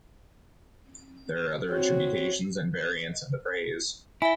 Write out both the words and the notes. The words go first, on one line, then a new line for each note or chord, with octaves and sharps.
There are other attributions, and variants of the phrase.
C4 F#4 C#5
E4 E5 G#5